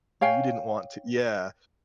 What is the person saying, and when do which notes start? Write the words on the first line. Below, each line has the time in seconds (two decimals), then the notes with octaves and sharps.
you didn't want to" Yeah.
0.21 C#5 F5 G5 G#5